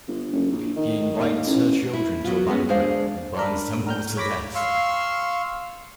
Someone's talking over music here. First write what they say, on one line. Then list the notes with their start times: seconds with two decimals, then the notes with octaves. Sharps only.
He invites her children to a banquet and burns them all to death.
0.07 G1
0.33 F#1
0.52 A#1
0.76 D#3
1.20 D#2
1.47 A1
1.93 E4
2.24 F#3 B3 F4
2.47 G#3 A#3 B3 C#4
2.68 D2 G#3 D4 C5 F5
3.37 D4 A#4 B5
3.87 A#4 F6 G6
4.17 C#5 B5 D6 A#6 B6
4.55 F5 C6 C#6 E6